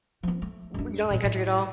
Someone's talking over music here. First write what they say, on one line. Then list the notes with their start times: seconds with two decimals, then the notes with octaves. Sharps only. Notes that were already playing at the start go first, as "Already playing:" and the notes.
W you don't like country at all?
0.23 F3 B3
0.42 A3
0.74 F#2 D4
1.11 A2 B3
1.24 A2 E4